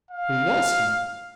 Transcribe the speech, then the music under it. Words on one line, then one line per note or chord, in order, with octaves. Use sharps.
Who was he?
F5